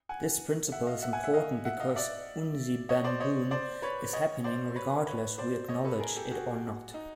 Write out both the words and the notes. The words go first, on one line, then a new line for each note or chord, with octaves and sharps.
This principle is important because Unsibanbon is happening regardless we acknowledge it or not.
F#5 G#5
E5 F#5
D#5 F5
E5 F#5
F#5 G#5
E5 F#5
D#5 F5
E5 F#5
D#5 F5
D5 E5
C#5 D#5
C5 D5
C#5 D#5
C5 D5
B4 C#5
C#5 D#5
C5 D5
B4 C#5
B4 C#5
C5 D5
C#5 D#5
A4 B4
G#4 A#4
G4 A4
F#4 G#4
D#4